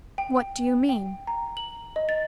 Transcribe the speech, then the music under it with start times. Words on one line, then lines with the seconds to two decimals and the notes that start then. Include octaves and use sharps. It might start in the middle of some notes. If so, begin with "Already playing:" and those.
"What do you mean?"
0.18 G5
0.89 G5
1.27 A#5
1.57 F#7
1.96 D#5
2.09 A6